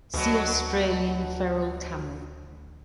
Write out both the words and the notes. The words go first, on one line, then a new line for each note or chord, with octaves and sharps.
See Australian feral camel.
D2 B2 F#3